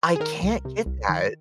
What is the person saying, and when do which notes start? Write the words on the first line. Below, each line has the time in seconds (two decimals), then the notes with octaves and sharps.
I can't get that.
0.16 G#4
0.20 D#3 A#4
0.43 C2
0.65 C3
0.86 C2
1.09 D#3